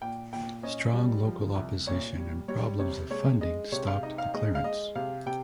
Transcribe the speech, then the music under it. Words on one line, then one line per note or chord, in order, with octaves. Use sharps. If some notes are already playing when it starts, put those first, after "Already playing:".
Strong local opposition and problems of funding stopped the clearance.
A#2 G5
A#2 G5
C#4 D#5
G3
F3
C2
A#2 C#5
G3
G3 C#5
C3 C#5
G#3 C#5
G#3 D#5
C3 C#5
F5
D#4 D#5
F5
G#3 D#5
F5
G#3 D#5
C3 F5
C3 G5